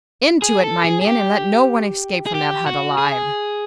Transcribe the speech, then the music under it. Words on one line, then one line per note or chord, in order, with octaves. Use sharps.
"Into it, my men, and let no one escape from that hut alive!"
G#4
A4
G#4
G#4
G4
G#4
G4
F#4
G#4